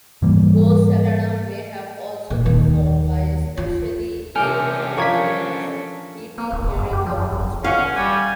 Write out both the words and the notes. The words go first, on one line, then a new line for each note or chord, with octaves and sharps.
Procellarum may have also been formed by spatially inhomogeneous heating during the Moon's formation.
G#2 E3 G3 A#3
A#2
D#2
F4
C3 C#4 D4 A4 G5 G#5 F6
F3 D4 A#4 C#5 C#6 G#6 B6
A#3
D1
F#1
F#2
G4
F3
F#2
G1
C#4 F5 F#5 C#6 C#7
G3 G#5